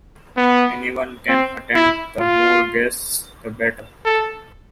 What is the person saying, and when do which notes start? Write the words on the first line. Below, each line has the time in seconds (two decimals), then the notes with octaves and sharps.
Anyone can attend - the more guests, the better.
0.37 B3
1.29 C4
1.75 E4
2.20 F4
4.05 A4